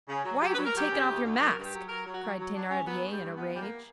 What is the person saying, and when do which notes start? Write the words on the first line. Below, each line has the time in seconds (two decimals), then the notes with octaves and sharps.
"Why have you taken off your mask?" cried Thenardier in a rage.
0.09 C#3
0.24 F#3
0.42 F#3 G4
0.54 B4
0.57 F#3
0.65 A#4
0.74 F#3 G4
0.90 C#3
1.07 D2
1.24 D2
1.39 F#3 A#4
1.57 G2
1.64 G4
1.73 F#3
1.88 F#3 A#4
2.05 F#3
2.14 F#4
2.22 F#3
2.38 F#3
2.54 F#3 D4
2.70 G2 C#4
2.87 F#3 B3
3.03 G2
3.11 G3
3.20 G2
3.36 E2 B3
3.52 E2 G3
3.61 A#3